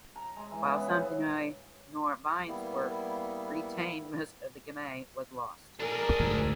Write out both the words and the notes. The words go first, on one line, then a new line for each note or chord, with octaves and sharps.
While some Pinot noir vines were retained most of the Gamay was lost.
A#5
G#3
E3
B3
C#3
G#4
G3 A#3 B3 E4
D4 G#4 A#4
D2 G#2